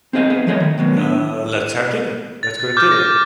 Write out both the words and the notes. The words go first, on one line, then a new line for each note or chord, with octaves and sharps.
"uh, let's have dinner. Let's go to dinner."
C4 D#4 G#4 D#5 F5
B3 G#4
F3 F#3 A3 G#4 C#5 D#5
D#3
D#3 F#3 B3
B3 D4
A6
D6 F6 G6
A#6